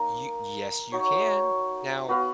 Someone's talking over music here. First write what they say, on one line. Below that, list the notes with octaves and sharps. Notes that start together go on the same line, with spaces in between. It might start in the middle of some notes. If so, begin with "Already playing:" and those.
You yes, you can. Now
Already playing: A#3 D#4 A#4 D#5
D#4 F#4 C#5
B3 F#4 B4 F5